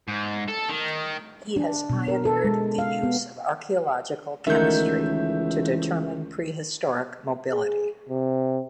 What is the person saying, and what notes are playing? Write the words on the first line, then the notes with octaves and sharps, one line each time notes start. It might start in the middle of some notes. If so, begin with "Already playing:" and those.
He has pioneered the use of archaeological chemistry to determine prehistoric mobility.
G#2
A4
D#3
D4
B2
A#4
A4
G#3
F5
B3
C#2 D#3 E3 A3 E5 F#5 G6
G#4
C3